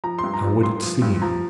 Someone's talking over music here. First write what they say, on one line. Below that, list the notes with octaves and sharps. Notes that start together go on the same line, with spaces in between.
How would it seem?
F3 A#5
C6
G2
A#5
F3
G2 C6
F3
G2
F3 A#5